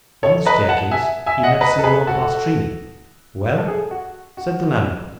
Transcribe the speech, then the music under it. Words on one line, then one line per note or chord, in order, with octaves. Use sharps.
On the staircase he met Signor Pastrini. "Well?" said the landlord.
A4 C#5
B4 D#5
F#5 A5
E5 G#5
E5 G#5
D#5 F#5
B4 D#5
A4
G#4 B4
F#4 A4
A4
G#4
F#4
F#4